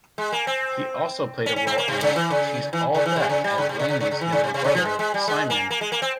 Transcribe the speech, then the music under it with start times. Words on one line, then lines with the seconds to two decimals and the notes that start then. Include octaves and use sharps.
He also played a role in "She's All That" as Laney's younger brother, Simon.
0.18 G#3
0.32 A#3
0.47 C4
1.46 C#4
1.56 C#4
1.67 C4
1.78 A#3
1.88 C3
2.03 C#3
2.16 E3
2.30 C#3
2.73 E3
2.95 C#3
3.06 E3
3.16 C3
3.29 C#3
3.44 G3
3.58 C#3
3.69 C3
3.79 C#3
3.90 C#3
4.01 C#3
4.11 C#3
4.21 E3
4.32 C#3
4.44 C3
4.54 C3
4.64 C#3
4.75 F3
4.85 G#3
4.99 G#3
5.14 G3
5.28 G#3
5.50 A#3
5.70 A#3
5.81 G#3
5.92 A#3
6.02 C4